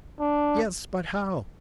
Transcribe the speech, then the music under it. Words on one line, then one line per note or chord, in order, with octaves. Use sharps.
"Yes, but how?"
D4